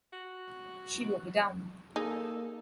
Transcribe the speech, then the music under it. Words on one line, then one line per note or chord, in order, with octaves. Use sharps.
She'll be down.
F#4
A#3 D#4 G#4 A4